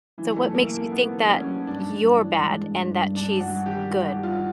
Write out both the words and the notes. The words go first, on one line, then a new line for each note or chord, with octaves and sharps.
So what makes you think that, you're bad and that she's good
E3 F#3
A3
F#3
A#3
A3
A#3
B3 C4
F#3
C#4
F#3
G2 D4
G2
E3
G#3
G2
G2
G2 D4
G2 F#4
D#3 G4
G3 F#4
G4
G2
F4
F#4